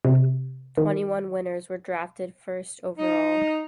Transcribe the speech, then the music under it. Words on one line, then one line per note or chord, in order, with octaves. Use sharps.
Twenty-one winners were drafted first overall.
C3
D#3
D#4